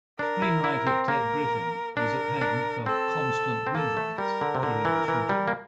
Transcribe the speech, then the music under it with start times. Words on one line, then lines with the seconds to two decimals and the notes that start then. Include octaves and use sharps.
Screenwriter Ted Griffin was at hand for "constant rewrites" during the shooting.
0.19 D4 A#4
0.42 E4
0.64 E4
0.87 C4
1.08 A#3 A#4
1.97 D4 A#4
2.41 D4
2.86 C4 A4
3.67 C4
3.74 A#3 A4
3.97 A3
4.18 G3 A#4
4.41 D3
4.55 C3
4.63 D3 A#4
4.85 E3
5.08 E3
5.29 G3
5.48 A#3